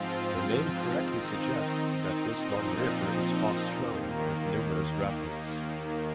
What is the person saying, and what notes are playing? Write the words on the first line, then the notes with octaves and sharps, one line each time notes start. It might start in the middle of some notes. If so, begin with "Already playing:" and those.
The name correctly suggests that this long river is fast flowing, with numerous rapids.
Already playing: G#2 F3 C4 F4
D#3 C4 D#4
A#2 F3 C4 D#4
D#2 D#3 A#3